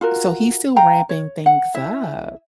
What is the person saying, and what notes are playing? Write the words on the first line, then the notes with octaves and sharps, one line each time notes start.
So, he's still ramping things up.
F4 F#4 A#4
F5 G5 A#5
C#5
F#5
E4 E5